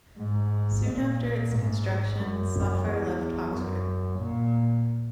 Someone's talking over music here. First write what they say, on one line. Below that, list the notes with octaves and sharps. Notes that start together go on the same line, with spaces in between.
Soon after its construction Soffer left Oxford.
G#2
A#2
G#2
F#2
E2
F#2
A#2